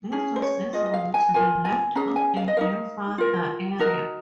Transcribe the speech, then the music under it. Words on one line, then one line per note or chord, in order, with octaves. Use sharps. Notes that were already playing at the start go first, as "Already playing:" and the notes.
This was visible to the left of the viewfinder area.
C#4 G#4
C5
C#5
F4 G#4 D#5
D#5
F5
G#5
F4 A#4 G#5
G#5
C#4 G#4 A#5
G#5
F5
D#5
D#4 F#4 A#4 F5
F4 A#4
D#4 F#4 A#4